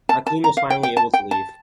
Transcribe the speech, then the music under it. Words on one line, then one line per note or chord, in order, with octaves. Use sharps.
Maclean was finally able to leave.
A5
A5
A#5
F5
G5
G5
A5
G5
A5